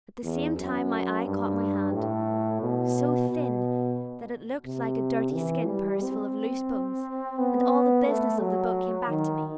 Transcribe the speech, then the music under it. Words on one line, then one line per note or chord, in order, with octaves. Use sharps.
At the same time my eye caught my hand, so thin that it looked like a dirty skin-purse full of loose bones, and all the business of the boat came back to me.
E2
F#2
G2
A2
B2
B2
C3
E3
G3
C4
B3
A3
F#3
D#3